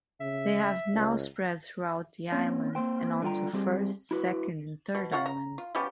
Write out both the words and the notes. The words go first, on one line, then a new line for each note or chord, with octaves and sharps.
They have now spread throughout the island and onto First, Second and Third Islands.
C#3 E5
C#2
A#3 C4 C#4
A#3 C4 C5 G5
D3 G3 F4 G5 A#5
G3 C4 G4 G#4
E4 F#4 B4
B2
F4 C#5 F#5
A#5
F4
F3 B3 C#4 G4